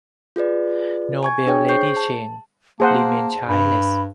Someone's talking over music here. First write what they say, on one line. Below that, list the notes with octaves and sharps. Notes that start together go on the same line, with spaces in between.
Noble Lady Cheng remained childless.
F4 G#4 B4 D5
G#5 C#6 G#6
D4 G#4 C#5 G5
G#4 C5 C#6 G6 C7
A5
A#3 G#4 C5 F#5 A5
G2 B5